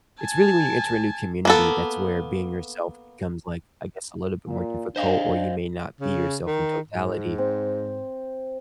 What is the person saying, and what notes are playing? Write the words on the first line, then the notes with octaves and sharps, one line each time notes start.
it's really when you enter a new community, that's where being yourself becomes, like, I guess, a little bit more difficult, or you may not be yourself in totality
G#5 A5
A#3 B3 A4
A#2
D4 C5 D#5 F5
C#3
D#3
G#2
C4